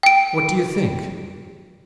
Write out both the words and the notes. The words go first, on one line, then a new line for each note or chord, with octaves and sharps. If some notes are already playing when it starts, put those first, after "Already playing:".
What do you think?
G5 D7